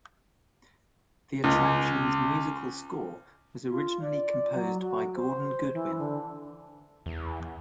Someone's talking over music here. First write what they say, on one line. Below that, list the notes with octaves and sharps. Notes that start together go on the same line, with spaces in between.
The attraction's musical score was originally composed by Gordon Goodwin.
C#2
F4
D5
F#3
F#4
C5
E3
D3
E2